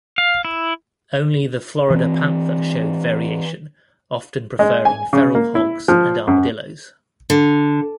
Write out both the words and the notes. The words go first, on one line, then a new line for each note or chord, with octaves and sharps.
Only the Florida panther showed variation, often preferring feral hogs and armadillos.
F5
E4
E3 C4
G#3
G#5
C#3
A#3
E4
F3
F#2
D3